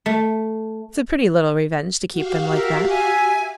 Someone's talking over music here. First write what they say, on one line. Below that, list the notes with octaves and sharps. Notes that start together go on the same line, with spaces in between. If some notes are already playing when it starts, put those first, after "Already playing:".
It's a pretty little revenge to keep them like that.'
A3
F#4 G4 F5
A#4 E5
E5 G#5